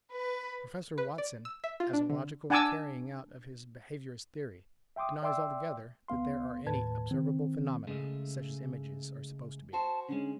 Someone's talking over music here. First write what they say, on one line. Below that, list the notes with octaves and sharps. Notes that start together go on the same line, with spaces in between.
Professor Watson, as a logical carrying-out of his behaviourist theory, denies altogether that there are any observable phenomena such as images are supposed to be.
B4
B4
D5
E6
E5
F4
D4
D3
D4 F#5 G#5 A5 D6 E6
E5 G5 C6 D6 D#6
D5 E5 G5 C6 D6 E6
D2 B3 F5 C6
D#2 A2 B4 A5 G#6
D#3 C4
C#3 G#3 A3
F#4 C5 A5
D3 G#3 C#4